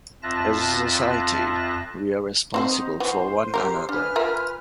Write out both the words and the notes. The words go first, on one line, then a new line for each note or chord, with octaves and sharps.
As a society we are responsible for one another.
F2 F4 E5 A5 F#6 A#6
C4 D#4 F#4 C5
E3 B3 F#4 C5
G4 A#4
D4 B4 G#5 F6
F4 A#4 E5